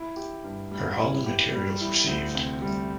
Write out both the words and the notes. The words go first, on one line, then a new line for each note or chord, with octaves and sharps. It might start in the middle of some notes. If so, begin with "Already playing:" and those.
Her hull and materials were saved.
Already playing: E4
G4
G2
G3
E4
G4
G3
E4
D2
C3
G3